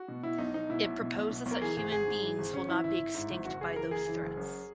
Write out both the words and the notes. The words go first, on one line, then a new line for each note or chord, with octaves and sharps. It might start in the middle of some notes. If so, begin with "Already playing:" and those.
It proposes that human beings will not be extinct by those threats.
Already playing: F#4
B2
B2 E4
B1 D#4
B1 D#4
B2 E4
B1
B2
B1
B2
B1
A#4
E3 G#4
G#1 G#4
G#1 G#4
G#2
E3
G#1
G#1 C#4
E3 E4
G#1 E4
G#1
G#2
G#1
F#1 F#4
F#1 G#4
E3 A#4
F#1 G#4
E3
F#1
F#2